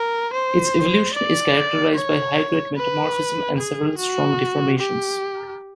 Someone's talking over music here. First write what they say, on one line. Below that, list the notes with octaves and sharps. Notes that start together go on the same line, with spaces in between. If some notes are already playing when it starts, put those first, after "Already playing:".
Its evolution is characterized by high-grade metamorphism and several strong deformations.
Already playing: A#4
C5
D5
C#5
B4
G#4
F#4
G4